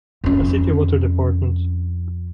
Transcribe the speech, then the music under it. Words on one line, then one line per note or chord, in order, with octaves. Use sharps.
A City Water Dept.
F2 C#4